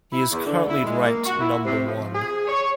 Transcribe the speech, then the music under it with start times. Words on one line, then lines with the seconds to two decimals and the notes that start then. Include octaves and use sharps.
He is currently ranked number one.
0.12 E4
0.32 E2
0.46 D3
0.68 E4
0.84 G#3
1.05 A#3
1.25 F#4
1.41 E4
1.65 C3
1.86 F3
2.14 G#4
2.47 C#5